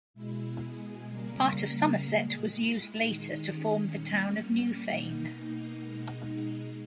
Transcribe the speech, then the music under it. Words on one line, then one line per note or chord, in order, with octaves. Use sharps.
Part of Somerset was used later to form the Town of Newfane.
B2 G#3 E4
G#4
C#3 G3 A#3 A#4
A#2 G#3 G#4
E4
D#3 G#3 D#4
C#4
A#2 G3 A#3
B2 A#3 D#4
D#4
B2 G#3